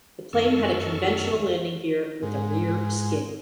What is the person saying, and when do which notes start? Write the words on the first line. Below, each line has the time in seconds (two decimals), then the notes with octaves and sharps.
The plane had a conventional landing gear, with a rear skid.
0.33 F#2 D#3 A4 A5 C#6 F6
2.23 G#2